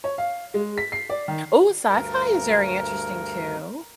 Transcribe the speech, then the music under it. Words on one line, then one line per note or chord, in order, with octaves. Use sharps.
Ooh, sci-fi is very interesting, too.
C#5
F5
G#3
B6
C7
D5
D#3
D2 G2 A#4